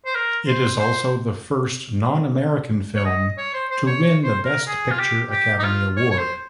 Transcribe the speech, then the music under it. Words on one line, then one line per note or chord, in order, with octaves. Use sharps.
It is also the first non-American film to win the Best Picture Academy Award.
C5
A#4
C5
C5
C#5
D#5
C#5
C5
C5
C#5
C#5
C5
A#4
G#4
F4
G4
G4
D#4
F4
C#5
C#5
C5